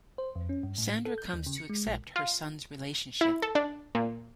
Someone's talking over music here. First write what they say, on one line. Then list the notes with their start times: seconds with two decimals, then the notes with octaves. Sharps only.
Sandra comes to accept her son's relationship.
0.18 C5
0.35 F2
0.49 C#4
0.63 G2
0.78 A2
1.05 A4
1.18 G6
1.33 D#2
1.47 C#3
1.58 C#7
1.69 G#3
1.87 A#1
2.16 F4
3.21 E4
3.42 A4
3.55 D4
3.95 A#2